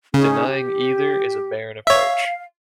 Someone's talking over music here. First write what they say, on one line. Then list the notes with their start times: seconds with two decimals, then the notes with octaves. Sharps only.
Denying either is a barren approach.
0.14 C#3 C#4 D#4 G#4
0.46 G4
1.87 C#5 E5 F5